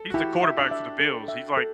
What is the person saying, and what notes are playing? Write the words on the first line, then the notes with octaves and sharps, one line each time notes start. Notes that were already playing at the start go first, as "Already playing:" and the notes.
He's the quarterback for the Bills. He's, like
Already playing: A4
F#4
E4 G4
E5
D4
E5
A4
E5
A4